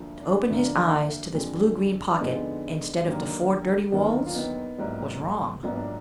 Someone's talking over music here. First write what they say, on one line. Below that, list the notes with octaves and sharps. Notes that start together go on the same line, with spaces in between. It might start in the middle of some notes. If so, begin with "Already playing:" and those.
To open his eyes to this blue-green pocket instead of to four dirty walls, was wrong.
Already playing: D2 D3 F3 A#3
D4
D2 D3 F3 A#3
F2 D3 G#3
D4
F2 D3 G#3 B3 D#4
D#2 D3 F#3 A#3
D#2 D3 F#3 A#3 B3 D#4
F4
B3 D#4
A#1 G#2 F#3 A#3
A#1 G#2 F#3 A#3 B3
D4